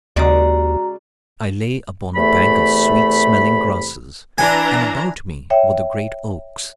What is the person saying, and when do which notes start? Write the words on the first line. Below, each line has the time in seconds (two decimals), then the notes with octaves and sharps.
I lay upon a bank of sweet-smelling grasses, and about me were the great oaks.
0.16 D#2 C#3 G#3 F#4 D5 A#5
2.15 E2 C3 A3 A4 B5
4.38 E3 D4 G#5 A#5
5.50 C#5 E5 G5